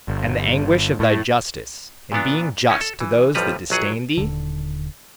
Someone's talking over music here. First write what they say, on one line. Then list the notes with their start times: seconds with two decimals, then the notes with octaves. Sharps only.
And the anguish of thy justice in being just to those that disdain thee?
0.08 G1
1.00 A2
2.12 A#2 E3 B3 D4
2.69 C#4 D#4 E4
2.81 A4
3.00 E3
3.35 A1 F2 F3 G3 B4 A#5
3.70 A#1 F#3 G#4 F#5
4.17 D#1 D3